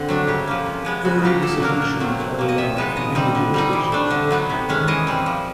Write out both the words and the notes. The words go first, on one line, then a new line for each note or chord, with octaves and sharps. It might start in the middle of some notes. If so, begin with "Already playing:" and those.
Early dissolutions are allowed in many jurisdictions.
Already playing: D3 C4
F#3 A3 D4
C#3 G4
F3 A#3
C3
F3 G#3 B3
C#3 F#4
F#3 A#3 D#4 G4
A#2 A4
F#3 A#3 D4 A#4
A#2 A#4
F#3 A3 C4
A#2
F3 A#3
D#5
C3 E5
F3 G#3 B3 D#4
D#3 D#5
G3 C4 D#4
D3
G3 C4 D#4
E3
A3 D4
D3
F#3 B3 D#4
C3
D#3 G#3 C#4
E3 D#5
G3 C4
F3